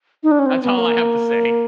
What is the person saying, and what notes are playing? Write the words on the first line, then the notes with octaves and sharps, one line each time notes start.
That's all I have to say.
D#4
D4
C#4
C4
B3
A#3